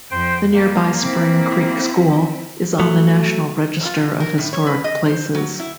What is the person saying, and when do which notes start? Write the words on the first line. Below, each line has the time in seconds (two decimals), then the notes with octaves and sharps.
The nearby Spring Creek School is on the National Register of Historic Places.
0.11 F2 F3 C5 G5
0.54 G3 A#3
1.02 C4 E4
2.80 F#3 A3
3.85 F4
4.20 A#4
4.38 A2
4.53 C#5
4.67 B4
4.84 D#5
5.06 C5
5.34 F#3
5.60 E4